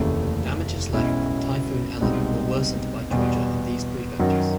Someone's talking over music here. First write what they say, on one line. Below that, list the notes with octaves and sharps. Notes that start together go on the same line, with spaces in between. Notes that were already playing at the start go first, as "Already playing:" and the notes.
Damages left from Typhoon Ellen were worsened by Georgia in these prefectures.
Already playing: F1 D#2 C#3 E3 A3
B1 B2 G#3 C#4 E4
C2 B2 G#3 C4 D#4
E2 B2 G3
F#2 D#3 F#3